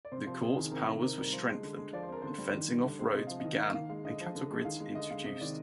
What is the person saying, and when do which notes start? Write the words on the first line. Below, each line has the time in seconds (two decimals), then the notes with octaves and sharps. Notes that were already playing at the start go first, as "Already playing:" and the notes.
The Court's powers were strengthened, and fencing of roads began and cattle grids introduced.
0.05 D5
0.12 C3 C5
0.26 F3 C5
0.41 C3 G#4
0.57 D#3
0.71 C3 A#4
0.87 D#3
1.02 C3 A#4
1.17 G3 A#4
1.32 F3 C5
1.48 G#3
1.63 D3
1.78 G#3
1.93 F3 D5
2.03 C5
2.09 C4 A#4
2.22 D3 C5
2.38 G3
2.53 D#3
2.68 G3
2.83 D3
2.99 G#3 C5
3.14 C3 D#5
3.27 F3 F5
3.40 D#3 D#5
3.59 A#3
3.74 D#3 F5
3.89 G#3 F5
4.04 D3 D#5
4.20 F3
4.35 D3
4.50 G#3
4.65 D#3 F5
4.80 G#3
4.95 D3 D#5
5.10 G#3 F5
5.25 C3 D#5
5.41 D#3 D5